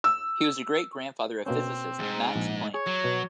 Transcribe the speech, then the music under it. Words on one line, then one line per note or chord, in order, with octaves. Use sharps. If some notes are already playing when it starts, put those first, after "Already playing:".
He was the great-grandfather of physicist Max Planck.
E6
B2 A#3 C4 C#4
E2 G#2
A#1
G#4 C#5
F#3
B2